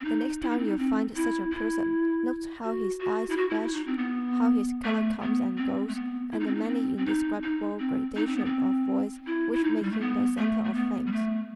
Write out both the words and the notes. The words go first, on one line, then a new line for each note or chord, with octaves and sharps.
The next time you find such a person note how his eyes flash, how his color comes and goes and the many indescribable gradations of voice which make him the center of things.
C4
D#4
E4
D#4
C4
D#4
C4
E4
E4
F#4
F#4
E4
F#4
E4
E4
D#4
C4
B3
A3
B3
C4
A3
B3
E4
D#4
C4
D#4
B3
C4
C4
D#4
D#4
C4
D#4
C4
B3
C4
E4
E4
D#4
G3
A3
B3
A3
A3
B3
G3
A3